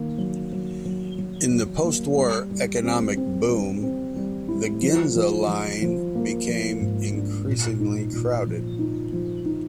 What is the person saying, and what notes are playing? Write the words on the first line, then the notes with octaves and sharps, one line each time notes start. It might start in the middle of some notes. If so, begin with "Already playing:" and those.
In the postwar economic boom, the Ginza Line became increasingly crowded.
Already playing: D#3 A#3
F#3
F#3
F#3
F#3
F#3
A#3
G3
G3
C4
C4
G3
C4
G3
E4
F3
F3
F3
F3
A#3
F3
G#2
D4
A#2
D#4
A#2
F3
D#4
F3
D#4